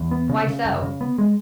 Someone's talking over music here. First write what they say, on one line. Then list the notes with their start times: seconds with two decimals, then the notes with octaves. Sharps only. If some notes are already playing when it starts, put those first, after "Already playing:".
"Why so?"
Already playing: E2
0.11 B3
0.29 C#3
0.48 C#3
0.65 F#2
0.82 C#3
1.01 B3
1.18 G#3